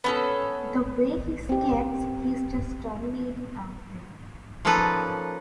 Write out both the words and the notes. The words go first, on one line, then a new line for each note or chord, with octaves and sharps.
The way he skates, he's just dominating out there.
B3 C#4 A4
C4 G4
F3 A#3 C#4 D#4 A4 B4